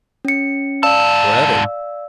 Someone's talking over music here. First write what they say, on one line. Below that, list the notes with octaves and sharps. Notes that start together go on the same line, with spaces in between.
"What of it?"
C#4 C#7
G#2 D5 F5 A5 E6